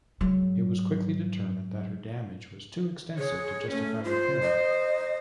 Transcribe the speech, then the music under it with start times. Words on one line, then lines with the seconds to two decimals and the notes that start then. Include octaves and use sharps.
It was quickly determined that her damage was too extensive to justify repair.
0.21 G#2 F#3
3.18 G#4 C#5
3.72 A3 C#4
4.05 F4 C5
4.42 D#5